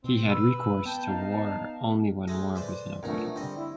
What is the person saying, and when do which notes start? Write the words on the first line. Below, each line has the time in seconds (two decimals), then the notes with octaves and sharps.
He had recourse to war only when war was unavoidable.
0.04 B2 C4
0.29 B4 E6
0.86 B3 G5 A5
1.07 D#4 F5
2.28 G#3 A3 D#5
2.55 B4 C5 D5
3.03 F#2 B2 F3 A3 D4 D#4 A#4
3.36 D3 G3 C4 D#5
3.56 E4